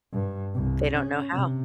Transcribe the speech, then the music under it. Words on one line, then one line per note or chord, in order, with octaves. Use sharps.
They don't know how.
G2
C2
C#4
C3